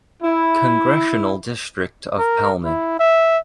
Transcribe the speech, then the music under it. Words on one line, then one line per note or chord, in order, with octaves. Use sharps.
Congressional district of Palmi.
E4
A#4
E4
E5